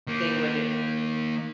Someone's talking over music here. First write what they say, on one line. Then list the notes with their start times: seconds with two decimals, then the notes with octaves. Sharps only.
they would i
0.07 D#3 A#3